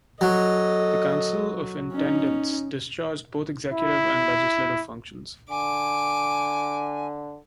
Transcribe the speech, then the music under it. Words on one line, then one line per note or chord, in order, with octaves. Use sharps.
The Council of Intendentes discharged both Executive and Legislative functions.
F#3 A4 D#5
C#4 D#4
E4
D3 G#5 D6